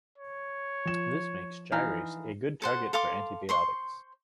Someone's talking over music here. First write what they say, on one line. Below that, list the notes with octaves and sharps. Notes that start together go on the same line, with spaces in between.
This makes gyrase a good target for antibiotics.
C#5
F3 E7
E3 D#4 F5
A4 C5 F#5
A4 F5 C6 D6
C5 C6 C#6